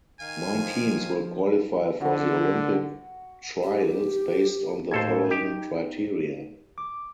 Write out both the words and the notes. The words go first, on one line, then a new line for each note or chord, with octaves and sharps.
Nine teams will qualify for the Olympic Trials based on the following criteria.
D#3 F5 G#5
F3
D3 F#4 F#5
G4
D#2 A2 A4 C5 G#6
D#4 G4
D6